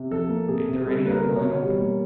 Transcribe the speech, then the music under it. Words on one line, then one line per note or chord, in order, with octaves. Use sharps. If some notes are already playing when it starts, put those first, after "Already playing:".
Ain't there any other line open?'
Already playing: C3
F3 A4
A#3
C3 G#4
C3
G3 A4
A#3 B4
A#4
B2
C#5
B2
G3
A#3